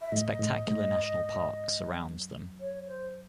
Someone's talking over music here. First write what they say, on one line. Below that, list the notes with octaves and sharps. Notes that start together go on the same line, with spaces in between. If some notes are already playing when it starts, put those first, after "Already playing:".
Spectacular National Parks surrounds them.
E5
A2 D#5
A2
A2
G#2
F#2
C#5
C5